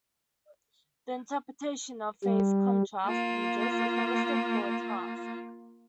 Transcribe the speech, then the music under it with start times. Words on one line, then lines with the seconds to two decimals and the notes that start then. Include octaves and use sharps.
The interpretation of phase-contrast images is not a straightforward task.
2.24 G3
3.06 A#3 F4